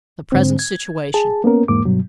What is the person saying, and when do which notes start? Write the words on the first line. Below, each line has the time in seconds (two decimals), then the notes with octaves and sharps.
The Present Situation.
0.32 G#2 D3 C4
0.59 G#6
1.14 G#4 A5
1.44 A#3 B3 C#4 A#4
1.68 E2 G#2 A#3 D6
1.85 G2 B2 F#3